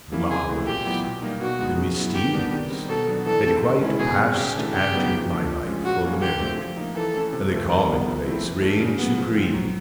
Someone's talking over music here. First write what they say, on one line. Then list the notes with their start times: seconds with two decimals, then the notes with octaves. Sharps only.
The Marvellous--the Mysterious--had quite passed out of my life for the moment: and the Common-place reigned supreme.
0.12 F#3 A#3 C#4 E4
0.30 C3 G#4
0.49 E3 A3
0.67 A#2 G4
0.85 F#3 B3 E4
1.04 B2
1.22 G3 A#3 D#4
1.41 B2 F#4
1.59 G#3 B3 D#4
1.78 C#3
1.96 F#3 B3 E4
2.15 D#3 G4
2.33 G3 B3 D4
2.52 D#3
2.70 G3 C4 D#4
2.89 B2 A4
3.07 F#3 B3 D4
3.26 E3 A4
3.44 A3 C4
3.63 D#3
3.81 G#3 C#4 E4
3.99 B2 G#4
4.18 G3 C4
4.37 C#3 G4
4.55 E3 A3 D4
4.74 C#3 G4
4.92 F#3 B3 D#4
5.11 F3
5.29 A3 D4
5.47 F3
5.66 G#3 C#4
5.84 A#2 F#4
6.03 F#3 A#3 C#4
6.22 D3 G4
6.40 F3 A3 C4
6.59 F3
6.77 A#3 D#4
6.95 E3 A4
7.14 A3 C#4 E4
7.33 C3
7.51 F3 A3
7.69 D#3 A#4
7.88 G3 B3
8.06 F3
8.25 A3 C4 E4
8.43 E3
8.62 A3 D4
8.80 C#3
8.99 F#3 B3
9.17 F3
9.36 G#3 C4
9.54 F#3